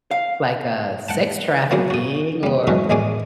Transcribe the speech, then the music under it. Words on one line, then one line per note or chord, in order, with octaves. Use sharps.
like, uh, sex trafficking or
F5
F#5 G5 A5
D3 F3 F#3 A#3 B3 G#4
F#4 D#6
G3 B3
E3 F#3 G#3 A3 C#4
A1 D#2 G#3 G#4 D5 G#5